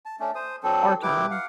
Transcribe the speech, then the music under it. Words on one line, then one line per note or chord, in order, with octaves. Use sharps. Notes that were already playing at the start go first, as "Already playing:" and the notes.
our time,
A5
A3 C#4 D4
C5 D#6
F#3 C4 D4 A4
E4 G4 B4 D6
F5 F#5